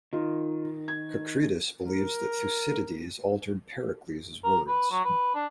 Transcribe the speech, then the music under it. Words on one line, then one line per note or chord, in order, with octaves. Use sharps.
Kakridis believes that Thucydides altered Pericles words.
D#3 D#4 F4
G#6
A#4
A#4
B4
F#3
B4
D4